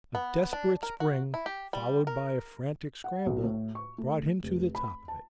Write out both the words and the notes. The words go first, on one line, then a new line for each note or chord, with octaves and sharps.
A desperate spring, followed by a frantic scramble, brought him to the top of it.
B3
D4
A#4
F#4
E4
G4
G3
A#4
F#5
B1
A2
C#6
A3
F1
B5
A5